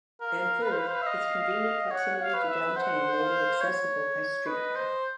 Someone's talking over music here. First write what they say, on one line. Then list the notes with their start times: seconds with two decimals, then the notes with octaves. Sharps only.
And third, its convenient proximity to downtown made it accessible by streetcar.
0.21 A#4 F5
0.63 B4
0.71 C5
0.79 B4
0.86 C5
0.94 B4
1.02 E5
1.06 D#5
1.91 C#5 F#5
2.20 F5
2.34 B4
2.47 E5
2.76 C5 F#5
3.19 F5
3.61 C#5
4.46 B4 D#5
4.75 C5